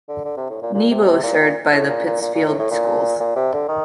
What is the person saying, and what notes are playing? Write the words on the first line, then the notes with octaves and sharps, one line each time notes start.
Nebo is served by the Pittsfield Schools.
D3
D3
C3
A2
A#2
A#2
C3
C3
A#2
A#2
A2
A#2
A#2
A#2
A#2
A2
A2
A#2
A#2
C3
D3
D#3